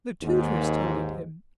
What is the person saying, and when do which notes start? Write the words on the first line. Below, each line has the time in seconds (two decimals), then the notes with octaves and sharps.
The tutors toadied him.
0.22 D#2 G#2